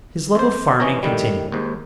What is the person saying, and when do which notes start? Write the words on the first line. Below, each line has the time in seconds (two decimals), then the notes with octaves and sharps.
His love of farming continued.
0.35 F2 C5
0.80 E3 C#4 C#5 D#5 A#5
1.03 A2 D#3 G3
1.52 D#2 G#2